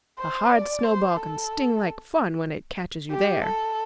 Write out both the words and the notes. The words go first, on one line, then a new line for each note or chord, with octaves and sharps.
"A hard snowball can sting like fun when it catches you there."
C5
D5
C5
A4
G4
A4